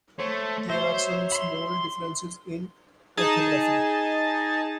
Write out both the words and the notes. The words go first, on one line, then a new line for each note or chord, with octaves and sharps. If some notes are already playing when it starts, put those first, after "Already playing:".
There are some small differences in orthography.
A3 C5 C#5
F#3 C5 C#5 E5
B5 C6
D#4 G#4 A5